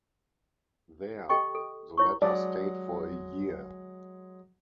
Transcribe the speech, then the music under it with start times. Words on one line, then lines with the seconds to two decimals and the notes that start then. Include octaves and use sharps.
There the letter stayed for a year.
1.29 G4 A4 D#5 G5 C#6
1.55 A4
1.98 E4 C#5 C#6
2.22 F#3 G#3 D5